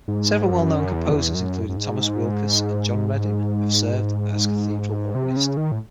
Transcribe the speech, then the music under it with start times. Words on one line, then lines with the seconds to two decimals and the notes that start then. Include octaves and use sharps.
Several well-known composers, including Thomas Weelkes and John Reading, have served as cathedral organist.
0.08 G#2
0.50 F#2
0.93 E2
1.35 F#2
1.69 F#2
1.77 G#2
5.15 C3
5.36 C#3
5.57 D#3
5.72 A2